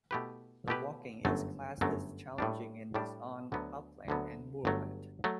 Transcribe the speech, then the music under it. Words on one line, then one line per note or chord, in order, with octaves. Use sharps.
The walking is classed as challenging and is on upland and moorland.
B2 A3 E4 G4 B4
B2 A3 E4 G4 B4
G1 F#2 F#3 A3
G1 F#2 F#3 A3
A2 G3 D4
A2 G3 D4
D2 D3 F#3 B3
D2 D3 F#3 B3
G1 G2 F#3 A3
F#3 A3